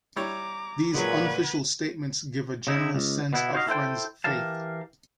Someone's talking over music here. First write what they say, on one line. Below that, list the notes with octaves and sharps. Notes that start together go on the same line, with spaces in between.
These unofficial statements give a general sense of Friends' faith.
G3 E4 C#5 A#5 D6
A#2 F#3 G#3 B4 F#5 G#6
C#3 D#4 E4
C#2
B2 B3 E4
D#4 F#4 C5 C#5 D#5 F5
E4 A4 C5 G5
E3 G4 A#4 F5 A5